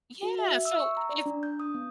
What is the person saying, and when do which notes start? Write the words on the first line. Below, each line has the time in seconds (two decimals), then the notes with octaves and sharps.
Yeah. So if
0.23 F#4
0.39 E5
0.51 E5
0.65 E6
0.80 C#6
0.97 A#5
1.09 D5
1.26 D4
1.43 G6
1.60 D#6
1.74 B3